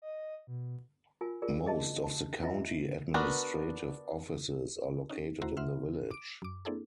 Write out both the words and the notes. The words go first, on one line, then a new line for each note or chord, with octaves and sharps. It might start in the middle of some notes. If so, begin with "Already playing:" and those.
Most of the county administrative offices are located in the village.
D#5
B2
F4 A#4 G#5
F4 G#4 A#4 D5
G#4 D#5 A5
A5
C#4 E4 F4 D#5 E5
B3 D4 F#4 A#4 B4
C#4 D#4
D#2 A3 E4 F#4 C5 A#5
E5 F#5 C6 F6
D6 D7
F#2 D6
A#3 C4 D4 E4 G#4 A4